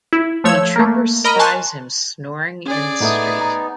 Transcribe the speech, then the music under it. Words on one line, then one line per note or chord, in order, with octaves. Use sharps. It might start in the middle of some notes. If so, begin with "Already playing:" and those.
A trooper spies him snoring in the street.
E4
F3 A3 C#5 E6 G#6
A3 A#3
A#4 D#5 A#5 B5 F6
G#5 A5 C6 C#6 F#6
C#4 G#4 D5
A2 A3 B3 D#4 E5
A#5